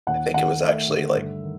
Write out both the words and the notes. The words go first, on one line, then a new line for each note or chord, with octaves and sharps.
I think it was actually, like
D#2 F#5
D#3 F#5
A3 E5
D3
G2
D#3